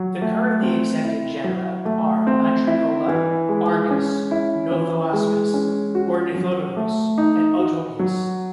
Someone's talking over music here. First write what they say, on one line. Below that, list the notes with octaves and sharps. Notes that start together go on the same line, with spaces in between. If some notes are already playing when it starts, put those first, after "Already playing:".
The currently accepted genera are "Antricola", "Argas", "Nothoaspis", "Ornithodoros", and "Otobius".
Already playing: F#3
A3
C4
E4
F#3
A3
C4
E4
E3
G#3
C#4
E4
E3
G#3
C#4
F#4
F#3
A3
D#4
F#4
F#3